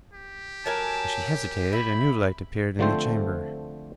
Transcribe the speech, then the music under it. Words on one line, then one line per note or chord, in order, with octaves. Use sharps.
As she hesitated a new light appeared in the chamber.
G4
F#3 A#4 G#5 A5
E4 B5
D3 F3 A3 C4 C5